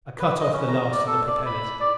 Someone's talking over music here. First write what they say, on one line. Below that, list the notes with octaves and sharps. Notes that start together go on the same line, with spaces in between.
I cut off the last of the propellers.
B4
D#5
C#4
A#5
D5
A4
D5
B5
D5